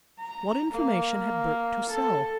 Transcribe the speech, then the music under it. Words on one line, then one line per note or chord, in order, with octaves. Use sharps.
What information had Burke to sell?
A#5
A#3
A4